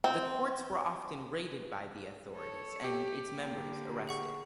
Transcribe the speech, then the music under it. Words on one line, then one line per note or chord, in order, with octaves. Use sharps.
The courts were often raided by the authorities and its members arrested.
C4
A4 C#5
G4
D3 A#3
G#4 F#5 C#6